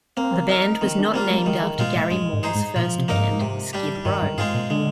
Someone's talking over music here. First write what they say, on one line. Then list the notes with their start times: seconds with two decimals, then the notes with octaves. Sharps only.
The band was not named after Gary Moore's first band, Skid Row.
0.17 A#3 C4
0.49 D#4 A#4
0.81 D#3 C4
0.98 D4
1.14 G3 A#3 C4 F4
1.30 G#3
1.46 D#3 G#3
1.63 G#3
1.78 A#2 G#3 C4 F4
1.95 A#2
2.11 G2 G#3
2.33 G#2
2.43 D#4 G#4 C5
2.55 G#2
2.76 A#2 F3
2.98 C3
3.08 G2 A#3 D#4 A#4
3.19 G#2
3.41 C3
3.73 G3 D4 G4
4.05 G2 D#3
4.22 G2
4.38 G#2 G#3 C4 F4 G#4
4.54 A#2
4.70 D3 G#3